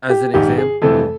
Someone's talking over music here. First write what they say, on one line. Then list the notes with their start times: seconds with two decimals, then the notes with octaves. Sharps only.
as an example
0.10 G4
0.34 A#1 G#2 D#3 G4
0.58 G#4
0.82 F2 C3 E3 A3 A4